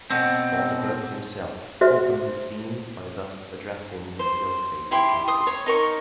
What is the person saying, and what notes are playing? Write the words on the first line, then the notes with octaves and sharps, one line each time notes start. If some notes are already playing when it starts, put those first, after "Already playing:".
Front-de-Boeuf himself opened the scene by thus addressing his ill-fated captive.
B2 C4
F#4 C5 E5
C5
E4 G4 C6
C6 D#6
C#5
D#4 A#4 C#6